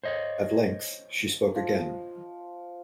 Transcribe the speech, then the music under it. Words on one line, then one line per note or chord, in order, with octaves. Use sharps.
At length she spoke again.
C5 C#5 D#5
F3